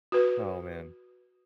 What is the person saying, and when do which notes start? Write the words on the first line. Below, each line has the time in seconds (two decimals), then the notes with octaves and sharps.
Oh, man.
0.12 F#4 B4